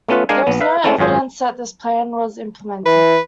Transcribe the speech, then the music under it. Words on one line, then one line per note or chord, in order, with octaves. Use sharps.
There is no evidence that this plan was implemented.
A3 B3 C#4 F4 B4
G#3 D4 A#4 F5 G#5
A#1 B3
B4 E5 F5
G#3 A3 C4 C#4 E4
G#1 F#2 F4 G#4 C5
E3 B4